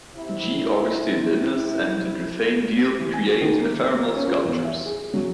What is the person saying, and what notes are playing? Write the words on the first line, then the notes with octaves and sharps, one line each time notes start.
G. Augustine Lynas and Duthain Dealbh create ephemeral sculptures.
C3 E4
E3
G#5
F#4
D#3
A#3
A#3
C#4
F4
E2
E5
G#4
F#3